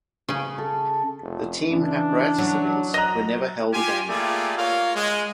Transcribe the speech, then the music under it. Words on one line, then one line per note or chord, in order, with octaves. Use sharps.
The team apparatus events were never held again.
C#3 C#4 G#5 C#6 D6
A4
F1
C#3 E3 D4
F#3
D#5 A#5 F#6 G7
F4 G4 G#5
A3 A#3 F4 G4 G#4 D5
A#3 F4 C#5 F5
G#3